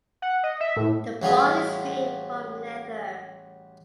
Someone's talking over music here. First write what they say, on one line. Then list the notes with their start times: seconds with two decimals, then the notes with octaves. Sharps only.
The ball is made from leather.
0.22 F#5
0.44 D#5
0.61 E5
0.77 A2
1.22 A1 F#3 G3 F4 G#4